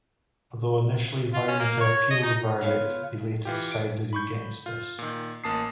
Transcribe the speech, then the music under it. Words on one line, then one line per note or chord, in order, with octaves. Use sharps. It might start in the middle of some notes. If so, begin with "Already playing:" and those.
Although initially vowing to appeal the verdict, they later decided against this.
F4
C#4
A#3
C#5
D#5
D#4
B3 F4 C#5 F5
E3 F4 G4
D7
B5 C#6 G6
F4
A#2 D#3
A1 A#3 A5 D#6 C7